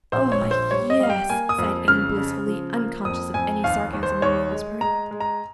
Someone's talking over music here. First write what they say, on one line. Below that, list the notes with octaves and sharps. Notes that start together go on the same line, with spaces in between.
"Oh yes," sighed Anne, blissfully unconscious of any sarcasm on Marilla's part.
A#1 C5
C#5
A#1
C5
G3 C#5
D#5
G3 F5
G5
A#3 G#5
D#6
F2
C#3 F6
C#3
F3
A#3
F2 D#6
F2 G#5
D#2 F5
D#2
C5
D#2 C#5
G#3
G#3 A#5
G#3
A#5